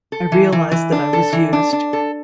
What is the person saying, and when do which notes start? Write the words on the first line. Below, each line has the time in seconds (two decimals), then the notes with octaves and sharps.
I realised that I was used.
0.12 A4
0.32 E3
0.52 E3
0.71 E3
0.92 D4
1.13 A4
1.33 E3
1.53 D4
1.73 D4
1.93 A4